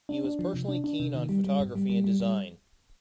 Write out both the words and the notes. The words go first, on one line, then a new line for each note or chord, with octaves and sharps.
He was personally keen on photography and design.
D4
D4
F3
C3
D4
D4
C3
D#3
G3
G3
G#2
G3
G3
G3
G3